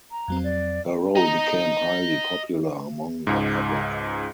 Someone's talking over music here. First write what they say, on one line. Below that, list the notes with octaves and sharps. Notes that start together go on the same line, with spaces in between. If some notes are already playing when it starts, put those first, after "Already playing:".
Her role became highly popular among the public.
A#5
F2 F#3 C4
D5
D#5 A#5
C#2 G#2